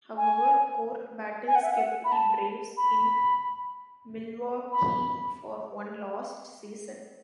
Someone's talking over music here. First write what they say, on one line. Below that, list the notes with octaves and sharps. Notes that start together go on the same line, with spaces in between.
However, court battles kept the Braves in Milwaukee for one last season.
G#5
G#5
F#5
E5
F#5
B5
A5
B5
B5